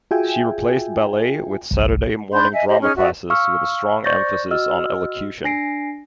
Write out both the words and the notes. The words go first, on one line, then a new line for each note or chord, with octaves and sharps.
She replaced ballet with Saturday morning drama classes with a strong emphasis on elocution.
F4 F#4 G#4 E5 G5 G#5
G1 C2
D4 B5 C6 G6
D#5 E5 G#5
G4 C5 D#5
C#4 D#4 G#4 F6
F#4 D5 E5
F5 C#6 E6 F6
C5 D5 C#6 G6 A6 A#6
F#4 D#5 E6 F6
D4 G#5 A#6 C7 D7